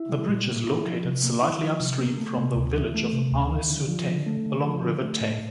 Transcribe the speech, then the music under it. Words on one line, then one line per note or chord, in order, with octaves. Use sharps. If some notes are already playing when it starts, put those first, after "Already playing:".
The bridge is located slightly upstream from the village of Arles-sur-Tech, along River Tech.
Already playing: E4
G3
A#2
A#3
E4
F3
C3
A#3
E4
F3
C3
A#3
A3
C3
D2
E3
A3
C3
D2
E3
D3
F3
D3
A3
D3
F3
D3
A3
A2